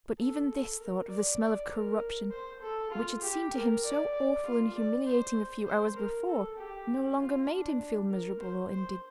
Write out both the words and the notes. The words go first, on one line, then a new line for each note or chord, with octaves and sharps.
But even this thought of the smell of corruption, which had seemed to him so awful and humiliating a few hours before, no longer made him feel miserable or indignant.
A4
A4
A#4
D5
D5
A#4
C5
A4
F4
G4
A#4
D5
D5
F4
D5
C5
C5
A#4
A4
G4
F4
D4
A#4
C5
C5